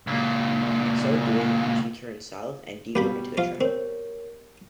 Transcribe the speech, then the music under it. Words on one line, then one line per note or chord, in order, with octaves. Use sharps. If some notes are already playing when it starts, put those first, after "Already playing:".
In so doing, she turned south and deeper into the trap.
C#2 A#2
B2 G3 A#3 G5 B5
F3 F4 F5
C4 A#4 C#5